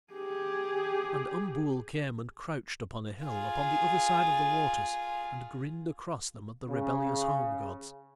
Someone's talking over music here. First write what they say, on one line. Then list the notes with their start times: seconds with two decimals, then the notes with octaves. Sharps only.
And Umbool came and crouched upon a hill upon the other side of the waters and grinned across them at the rebellious home gods.
0.13 G4 G#4
3.25 F4 G#4
6.69 C#3